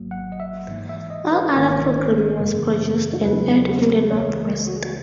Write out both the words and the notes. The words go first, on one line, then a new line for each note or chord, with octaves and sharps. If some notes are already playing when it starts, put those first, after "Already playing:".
All other programming was produced and aired in the North West.
Already playing: G#1 G#2 F#3 A#3
F#5
D#5
E5
G#2 E3 A#3
E5
D#5
B4
G#1 G#2 D#3 A#3 A#4
F#2 C#3 E3 A#3
E2 C#3 F#3 A#3 B4
C#2 C#3 E3 A#3 C#5
A#4
F#4
G#4
F#4